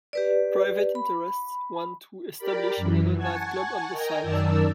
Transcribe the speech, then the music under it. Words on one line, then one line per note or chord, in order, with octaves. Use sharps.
Private interests want to establish another night club on the site.
G4 B4 D5
B5
G4 A#4 D5 B5
F#2 E3
F#5 G#5 A5 C#6 G#6
A#4 D#5 G5 G#5 A#5
F#2 D#3 A#4 D5 A5 E6